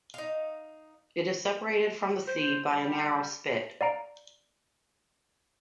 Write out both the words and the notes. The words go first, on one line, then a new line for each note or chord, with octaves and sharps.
It is separated from the sea by a narrow spit.
D#4 F5
C5
G3
D5 F5 A#5 D7